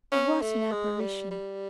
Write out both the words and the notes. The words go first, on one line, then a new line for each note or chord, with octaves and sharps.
What an apparition!
C#4
A3
G#3
G3
G3